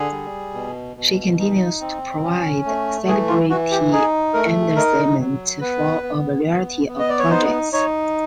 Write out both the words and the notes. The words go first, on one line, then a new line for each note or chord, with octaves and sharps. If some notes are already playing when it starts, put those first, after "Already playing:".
She continues to provide celebrity endorsement for a variety of projects.
Already playing: D3 G#4
G3
B2
B2
D#4
C4
C#4
A3
E3 G#4
F4
E3 F#4
G4
D#4 G#4
A3 A#4
D#4 A#4
F#3
B3 B4
B3
B3
B3
D#5
D5
C#5
D#4 C5
D#4 C#5